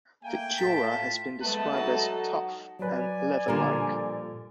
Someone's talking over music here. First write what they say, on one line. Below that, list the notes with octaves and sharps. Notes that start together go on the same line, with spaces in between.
The dura has been described as "tough" and "leather-like".
A3 A#3 G5 G#5
A2 F4 A5 B6
G#3 A3 B3 B4 E5 A5
F#3 D#4 A4 D#5
F#3 B4 D5 G#5
A#2 D3 F3 G3 F4 A#4